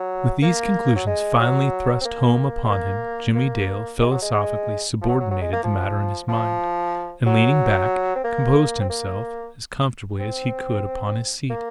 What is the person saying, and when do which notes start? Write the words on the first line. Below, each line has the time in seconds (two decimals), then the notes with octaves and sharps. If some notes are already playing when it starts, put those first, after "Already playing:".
With these conclusions finally thrust home upon him, Jimmie Dale philosophically subordinated the matter in his mind, and, leaning back, composed himself as comfortably as he could upon his seat.
Already playing: F#3
0.42 A#3
0.96 F#3
1.07 G#3
1.39 F#3
2.01 C4
2.05 A#3
2.64 G#3
2.70 A#3
3.35 A#3
4.00 G#3
4.11 F#3
4.22 G#3
4.33 G#3
5.01 F3
5.09 F#3
5.20 F#3
5.30 F#3
5.41 G#3
5.53 A#3
5.64 F3
6.28 F3
7.26 F#3
8.15 C4
8.24 A#3
8.80 C4
8.89 A#3
10.19 C4
11.50 A#3